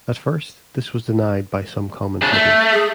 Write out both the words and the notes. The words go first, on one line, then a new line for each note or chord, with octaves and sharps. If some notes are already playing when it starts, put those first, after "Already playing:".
At first, this was denied by some commentators.
C#3 D4
A3
G#4